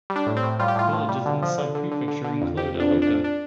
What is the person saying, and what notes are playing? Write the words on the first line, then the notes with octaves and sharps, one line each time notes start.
Villages in the sub-prefecture include Eloka.
G3
D4
A2
C4
A2
G3 F4
G4
A2 F4
A2
G3
D3
F3
D3
D3
D3
D3
D3
F2
F2 G4
F2 D4
F2
D4
F2
D4